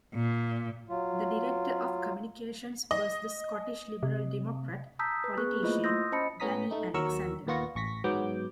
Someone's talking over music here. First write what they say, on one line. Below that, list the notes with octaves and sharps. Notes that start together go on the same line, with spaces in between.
The director of communications was the Scottish Liberal Democrat politician Danny Alexander.
A#2
F#3 F4
D#5
C3
A5 A#5 D#6 E6 G6 B6
B4
B3 G#4 B4 C#6 F#6
A3 A#3 E4 F4 C5 D#5
C6 D#6 E6 G6 A#6
C#4 C5 D#5 A5 B5 C#7
A2 B3 C#4 A#5 D#6 B6
A3 D#4
D#2 F#3 A#4 C#6 E6
D#2 A#2 B3 F4 C#6 A#6
A1 C#6 A#6 B6
G#2 F#3 B3 D6 G6